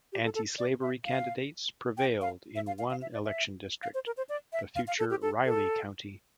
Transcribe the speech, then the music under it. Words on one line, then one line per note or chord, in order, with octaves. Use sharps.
Antislavery candidates prevailed in one election district, the future Riley County.
G4
A4
A4
D5
E5
F5
G5
F5
E5
F5
F5
F5
E5
D5
E5
F5
C5
A#4
C5
D5
E5
F5
F5
A4
G4
A4
A4